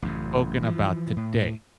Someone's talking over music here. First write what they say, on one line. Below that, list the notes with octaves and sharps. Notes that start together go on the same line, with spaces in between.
spoken about today,
A1 F#2 C#3
E3 F3
A2